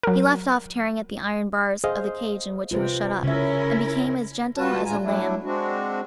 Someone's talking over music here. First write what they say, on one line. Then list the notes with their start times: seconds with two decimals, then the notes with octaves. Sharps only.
He left off tearing at the iron bars of the cage in which he was shut up, and became as gentle as a lamb.
0.03 F#3 A#4
1.84 G#4 C5 D#5 F5
2.71 C3 F4 B4 C5
3.24 C#3 C#4 E4 A#4 E5
4.57 G3 F4 F#4 B4 A5
4.86 D2 A2 D3 F4 G#5 A#5
5.03 F#3 A3 D4 E4
5.44 G#3 C4 D4 F#4